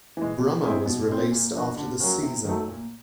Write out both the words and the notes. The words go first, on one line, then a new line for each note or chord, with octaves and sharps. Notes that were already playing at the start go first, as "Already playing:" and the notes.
Brummer was released after the season.
E3 G#3
B2
G#3 C4 E4 G#4
B2
G#3 C4
A#2
F3 A#3 D4 F#4
D3
F#3 A#3 C#4 F#4
C3
D#3 F#3 A3
A#2